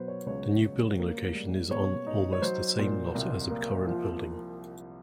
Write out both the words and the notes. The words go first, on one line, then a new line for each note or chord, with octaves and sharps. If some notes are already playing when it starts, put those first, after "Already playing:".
The new building location is on almost the same lot as the current building.
Already playing: B2 F#3 B4 C5
C#5
C#2 C#5
C#2
A#3
G3
B2 C#5
D#4
C#5
F#3 C5
A#2
C2
A#3
F3